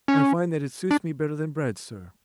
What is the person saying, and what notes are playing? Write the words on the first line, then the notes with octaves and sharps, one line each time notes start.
"I find that it suits me better than bread, sir."
C#4
D4